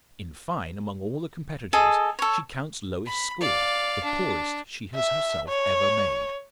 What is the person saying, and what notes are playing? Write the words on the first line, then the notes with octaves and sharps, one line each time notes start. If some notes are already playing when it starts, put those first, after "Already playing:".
In fine, among all the competitors, she counts lowest score--the poorest she has herself ever made.
G#4 A4 D#5
A4 C#5
B5
D5 F5
D4
E5
C#5